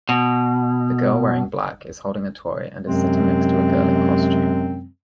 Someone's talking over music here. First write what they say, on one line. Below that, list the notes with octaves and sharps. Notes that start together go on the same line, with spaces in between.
The girl wearing black is holding a toy and is sitting next to a girl in costume.
B2
F#2 C3 F#3 G#3 C4